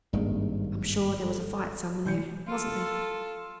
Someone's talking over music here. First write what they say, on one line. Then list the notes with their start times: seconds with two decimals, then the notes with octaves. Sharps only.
I'm sure there was a fight somewhere, wasn't there?'
0.13 G#1 G2 D#3 A#3 G#4
1.22 A4
2.05 E3 G6 C#7
2.47 F4 A4